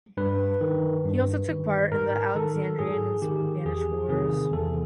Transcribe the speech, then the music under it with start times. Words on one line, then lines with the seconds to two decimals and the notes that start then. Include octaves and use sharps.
He also took part in the Alexandrian and Spanish wars.
0.17 G2 B4
0.61 D#3
1.05 G2
1.48 D#3
1.92 G#2 A#4
2.35 D#3 A4
2.79 G#2 G#4
3.22 D#3 G4
3.65 E2 G#4
4.09 C3 D#3 G#4
4.53 E2 A4